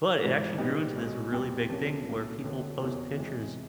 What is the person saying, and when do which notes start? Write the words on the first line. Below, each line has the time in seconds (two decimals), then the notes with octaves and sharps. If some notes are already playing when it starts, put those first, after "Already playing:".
but, it actually grew into this really big thing where people post pictures
0.21 G#1 G#2 E3
0.58 A#2 G3 B3 D#4
0.96 B1 B2 G#3
1.32 E2 B2 G3 C4
1.69 C3 F3 A#3 C#4
2.06 C2 A#2 F#3 A#3
2.43 F2 D3 F#3 B3
2.81 F#1 E2 B2 F#3 A#3
3.16 C3 E3 G#3